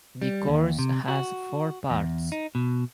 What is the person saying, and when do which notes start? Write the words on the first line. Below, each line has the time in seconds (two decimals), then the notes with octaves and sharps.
The course has four parts.
0.22 G3
0.47 D#2
0.79 C3
1.08 F#4
1.90 E2
2.32 D#4
2.55 B2